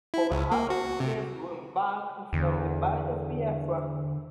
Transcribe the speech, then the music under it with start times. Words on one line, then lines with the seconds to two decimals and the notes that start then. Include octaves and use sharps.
Over half of his slaves were embarked from the Bight of Biafra.
0.14 E4
0.31 C#2
0.52 A#3
0.70 F#4
1.00 C3
2.33 E2 D3